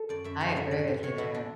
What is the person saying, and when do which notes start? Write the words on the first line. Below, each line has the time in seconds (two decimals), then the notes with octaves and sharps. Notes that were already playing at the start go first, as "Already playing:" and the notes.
I agree with you there.
Already playing: A4
0.09 F#2 D5
0.24 F#2 E5
0.41 E2 F#5
0.56 D3 E5
0.71 A2 D5
0.87 E3
1.03 A2 C#5
1.18 E3 E4
1.34 D4